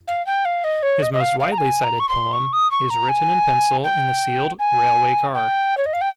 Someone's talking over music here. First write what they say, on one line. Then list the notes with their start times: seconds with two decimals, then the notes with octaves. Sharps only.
His most widely cited poem is "Written in Pencil in the Sealed Railway Car".
0.08 F5
0.26 G5
0.45 F5
0.64 D#5
0.83 C#5
1.02 D#5
1.13 D#5
1.21 F5
1.40 F5
1.52 A#5
1.58 G#5
1.84 A#5
2.00 C#6
2.09 C6
2.33 C#6
2.53 D#6
2.71 C#6
2.90 A#5
3.09 G#5
3.84 G5
4.59 G#5
5.34 G5
5.77 C#5
5.86 D#5
5.93 F5
6.01 G5